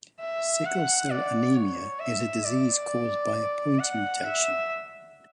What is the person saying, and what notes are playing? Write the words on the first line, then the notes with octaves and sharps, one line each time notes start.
Sickle Cell anemia is a disease caused by a point mutation.
E5
F#5
D5
C#5
E5
D5
F#5
E5